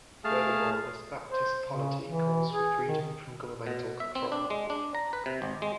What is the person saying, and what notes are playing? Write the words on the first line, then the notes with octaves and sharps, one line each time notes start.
Furthermore, this Baptist polity calls for freedom from governmental control.
A3 G#4 F5 A5 F6
C5
C#3
E3
G#4
D#3
B2
E5
C4
D4
G#3
D4
A#5
B4
C3
G#1
G#3